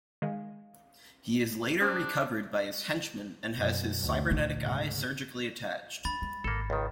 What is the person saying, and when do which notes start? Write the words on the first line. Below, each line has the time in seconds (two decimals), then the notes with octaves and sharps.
He is later recovered by his henchmen and has his cybernetic eye surgically attached.
0.22 D#3 G#3 F5
1.81 C#4 D4 C5 C6 D#6
3.57 F#2 B2
3.99 D2
4.31 A#1
4.60 G#2 C#3
6.05 D4 B5 A6
6.22 G#3
6.44 G#1 A#3 A4
6.70 C#2 D#3